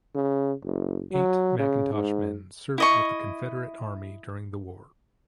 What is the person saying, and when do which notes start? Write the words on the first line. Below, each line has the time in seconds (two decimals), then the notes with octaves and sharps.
Eight McIntosh men served with the Confederate Army during the war.
0.15 C#3
0.63 F#1
1.12 F#3
1.59 C#3
1.93 G#2
2.78 E4 D#5 C#6